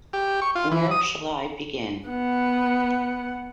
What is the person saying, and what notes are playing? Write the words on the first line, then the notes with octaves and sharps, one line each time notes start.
Where shall I begin?
G4
C#6
F4
E3
D#6
B3 F#5